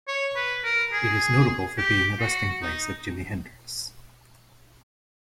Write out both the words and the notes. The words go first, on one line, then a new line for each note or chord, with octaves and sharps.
It is notable for being the resting place of Jimi Hendrix.
C#5
B4
A#4
G#4
G4
F#4
D#4